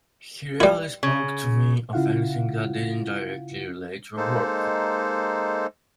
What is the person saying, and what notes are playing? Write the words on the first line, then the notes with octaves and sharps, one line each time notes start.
He rarely spoke to me of anything that didn't directly relate to our work.
G3 E4
C#3
C#3 E4 F4 F5 F#5
G#3 A#3 D#4 A4 C5